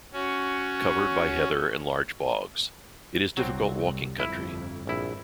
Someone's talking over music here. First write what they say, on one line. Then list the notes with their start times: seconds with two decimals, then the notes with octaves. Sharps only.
Covered by heather and large bogs, it is difficult walking country.
0.13 C#4 F#4
3.37 C2 F#3 C4
4.20 G1 F2 E4
4.87 A#1 E4